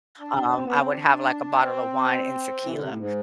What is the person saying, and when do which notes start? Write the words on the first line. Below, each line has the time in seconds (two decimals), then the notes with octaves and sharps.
Um, I would have like a bottle of wine and tequila.
0.19 D4
0.54 C4
0.65 B3
0.76 C4
0.88 D4
1.58 C4
2.62 E3
2.71 D3
2.79 C3
2.88 A2
2.97 G#2